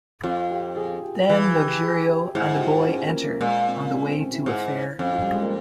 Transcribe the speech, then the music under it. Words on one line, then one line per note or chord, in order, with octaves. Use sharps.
Then Luxurio and a boy enter, on the way to a fair.
F2 F4
G4
G#4
G4
E3 G#4
G4
G#4
G4
G#2 E4
G4
F4
C#4
A#3
A#3
A#2 G#3
C4
C#4
C4
C4
E4
G#2
F2 C#4
F3
G3
G#3
A#3